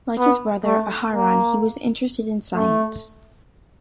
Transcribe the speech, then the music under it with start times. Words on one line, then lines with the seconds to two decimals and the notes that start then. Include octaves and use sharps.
Like his brother, Aharon, he was interested in science.
0.18 B3
0.65 A3
1.13 A#3
2.55 A3